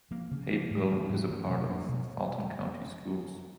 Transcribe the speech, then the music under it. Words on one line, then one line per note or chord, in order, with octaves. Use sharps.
Hapeville is a part of Fulton County Schools.
F3 A#3
C#3
F3 A#3
G#2
E3 A3 C#4
G#2
E3 A3 C#4
B2
G3 A#3 D4
B2